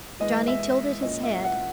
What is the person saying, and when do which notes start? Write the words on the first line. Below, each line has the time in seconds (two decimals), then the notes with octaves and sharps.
Johnny tilted his head.
0.20 E3 G#3 B3 D#5
0.48 E5
1.03 A#2 A#3 C#4 D#5
1.24 E5
1.44 F#5